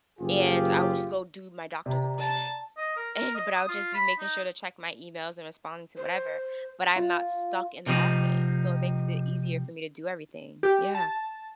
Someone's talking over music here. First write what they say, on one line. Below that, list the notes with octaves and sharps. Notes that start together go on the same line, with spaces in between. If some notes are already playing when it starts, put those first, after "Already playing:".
and I would just go do my doctor's appointments, and but I would just be making sure to check my emails and responding to whatever, but I'm not stuck in the office, so, it makes it easier for me to do everything, yeah.
F#1 C4 F4 G4 G#4
C3 D5 A#5
A5
D#5
A#4
A#4
D#5
D#6
F4
B5
D#4
C5
F4
C3 F3 C4 D#4
G4
A5